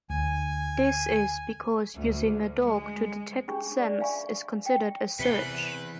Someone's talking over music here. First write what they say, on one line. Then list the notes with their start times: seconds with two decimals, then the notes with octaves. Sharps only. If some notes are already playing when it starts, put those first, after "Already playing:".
This is because using a dog to detect scents is considered a search.
0.10 D2 G#5
1.95 D2
2.64 G#3
3.48 C#4 D4 G#4 B5 C#6
3.77 D5
4.00 E5 F5 G#5 B5 C#6
4.66 G5
5.19 E2 C3 B4 B6 C#7 G7